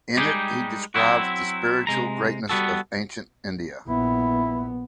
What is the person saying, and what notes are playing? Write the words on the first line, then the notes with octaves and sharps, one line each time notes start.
In it he describes the spiritual greatness of Ancient India.
G3 G#3 D#4 G4 G#4
F#3 C4 E4 F#4
C3 G#3 A#5
G3 B3 F#4 A4
A#1 B3 E4